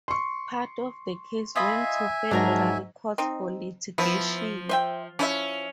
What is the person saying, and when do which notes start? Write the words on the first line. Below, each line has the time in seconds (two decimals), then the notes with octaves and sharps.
Part of the case went to federal courts for litigation.
0.08 C6 C#6
1.56 F4 D#5 E5 G#5 B5
2.31 G#2 F#3 D4 A#4 A#5
3.18 C4 D#4
3.98 F3 B3 E4
4.69 C5 E5 G5
5.19 F3 C#4 E4 E5